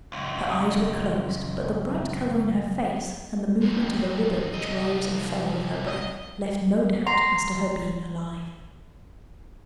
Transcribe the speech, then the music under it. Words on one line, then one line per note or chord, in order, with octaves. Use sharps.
Her eyes were closed, but the bright colour in her face, and the movement of a ribbon, which rose and fell with her breath, left no doubt as to her being alive.
C#2 F#2
F2 G3
C2 D#5
D#5
A#5 C6